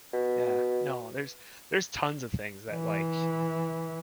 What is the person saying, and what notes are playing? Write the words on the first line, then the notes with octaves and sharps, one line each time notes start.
yeah. No, there's there's tons of things that like,
B2
E3